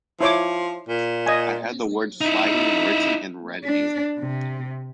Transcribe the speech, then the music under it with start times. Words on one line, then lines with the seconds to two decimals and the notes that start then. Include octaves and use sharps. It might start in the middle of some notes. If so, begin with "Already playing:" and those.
I had the word "flagging" written in red ink.
0.21 F3 E4 C#5 D6
0.88 A#2
1.26 D#5 G#5
2.21 D#4 E4
3.64 D4
4.19 C3